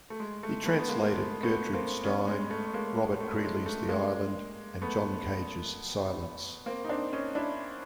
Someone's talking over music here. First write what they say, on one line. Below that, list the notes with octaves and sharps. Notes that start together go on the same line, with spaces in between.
He translated Gertrude Stein, Robert Creeley's "The Island", and John Cage's "Silence".
A3
G#3
A3
A3 B3
B3
G#3 A#3
G#3
A3
A3 B3
A#3 C4
B3 C#4
G#3
A3
G#3 A#3
A3
G#3
A3
G#3 A#3
A3 B3
A#3 C4
D#4
C4 D4
C#4 D#4
D4 E4